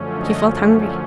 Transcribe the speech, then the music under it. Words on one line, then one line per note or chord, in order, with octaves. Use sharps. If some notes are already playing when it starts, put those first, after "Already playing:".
She felt hungry.
Already playing: F#2 D3 F3 A3 C#4
D#5